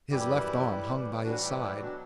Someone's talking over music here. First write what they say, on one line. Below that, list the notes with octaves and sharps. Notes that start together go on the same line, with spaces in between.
His left arm hung by his side.
F#2 E3 G3 E4 G4
A2 E3 G3
A2 E3 G3 D4 F#4
E4 G4
E4 G4
B2 F#3 D4 F#4